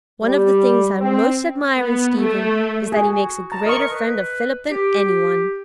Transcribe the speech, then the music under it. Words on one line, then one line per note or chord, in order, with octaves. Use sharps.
"One of the things I most admire in Stephen is that he makes a greater friend of Philip than any one."
G3
C4
B3
A3
F#4 G#4
A5 A#5
A#4 D#5 C#6
B4
G4